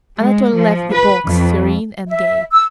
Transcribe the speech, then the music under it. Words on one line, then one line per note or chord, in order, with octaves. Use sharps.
Anatole left the box, serene and gay.
G#3
F3
B4
F2
E5
E6